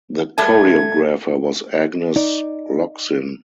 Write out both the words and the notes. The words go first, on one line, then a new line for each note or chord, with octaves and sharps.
The choreographer was Agnes Locsin.
G3 A3 A5 G#6
D#4 D5